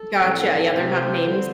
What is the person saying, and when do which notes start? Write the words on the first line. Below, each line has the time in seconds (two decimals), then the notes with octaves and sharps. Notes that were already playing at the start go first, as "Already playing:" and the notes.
Gotcha. Yeah, they're not names,
Already playing: A4
0.21 A2 F3 C4
0.64 A4
0.72 C3 A3 C4 C5
1.23 D3 G3 C4